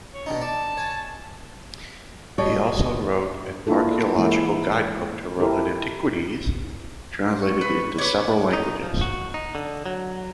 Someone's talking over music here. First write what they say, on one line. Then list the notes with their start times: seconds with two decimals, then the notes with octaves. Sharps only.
He also wrote an archeological guide book to Roman antiquities, translated into several languages.
0.14 C#5
0.26 B2 D4 D#4
0.42 D5 A5
0.77 C#5 G#5
2.38 G3 D#4 F#4 C#5 D#5
3.67 A#3 D4 E4 F4 A4
4.16 E3 G#3 A#3 E4
5.40 E4 G4 A4 A#4
7.24 C5
7.42 C#6
7.61 B4
7.98 B4 C#5 D6
8.53 D#4
8.83 F3
9.01 F#4
9.34 D#4
9.55 D3
9.86 F#3